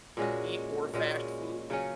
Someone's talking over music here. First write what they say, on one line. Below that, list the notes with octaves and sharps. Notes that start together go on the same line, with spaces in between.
eat more fast food,
A#2 G#3 C#4 F#4
A#2 G#3 C#4 F#4
C#3 F#3 C#4